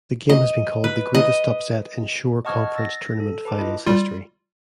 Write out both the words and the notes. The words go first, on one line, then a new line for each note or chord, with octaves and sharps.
The game has been called the "Greatest upset in Shore Conference Tournament Finals History".
D#5
B4
D#5
D#5 F#5 A5 C#6 F6 G#6
E6 A6 A#6
A4
B4 A5 D6
E4 F4 D#5
G3 F4